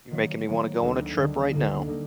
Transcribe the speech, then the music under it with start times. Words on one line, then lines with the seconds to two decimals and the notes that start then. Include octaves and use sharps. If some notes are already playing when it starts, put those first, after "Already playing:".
You're making me wanna go on a trip right now.
0.11 D#3 F#3 A#3
0.47 D#3 F#3 A#3
0.82 D2 D3 G3 A#3 D#4
1.17 D2 D3 G3 A#3 D#4
1.52 D2 D3 G3 A#3 D#4
1.88 D3 G3 A#3 D#4